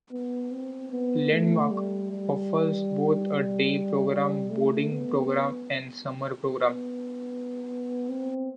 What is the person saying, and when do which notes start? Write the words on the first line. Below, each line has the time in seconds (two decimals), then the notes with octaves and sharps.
Landmark offers both a day program, boarding program and summer program.
0.12 B3
0.52 C4
0.92 B3
1.32 A3
1.71 G3
2.12 G3
4.10 G3
4.50 A3
4.91 B3
6.49 B3
8.09 C4